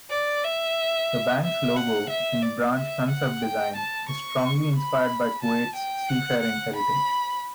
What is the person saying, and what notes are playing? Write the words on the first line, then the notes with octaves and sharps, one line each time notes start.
The Bank's logo and branch concept design is strongly inspired by Kuwait's seafaring heritage.
D5
E5
E5
F#5
E5
D5
E5
F#5
G5
A5
C#6
B5
A5
G5
F#5
F#5
B5